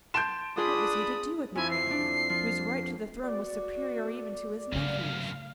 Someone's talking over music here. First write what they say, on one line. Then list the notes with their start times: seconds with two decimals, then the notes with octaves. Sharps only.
What was he to do with Marianna, whose right to the throne was superior even to his nephew's?
0.14 A5 C6 G6 D7 E7
0.57 D4 F4 G#4 B5 C6 D#6
1.55 F2 E4 G#5
1.71 C7
1.91 D4
2.29 F3
3.23 F#4 D5
4.73 C2 F#2 C#3 A3 F5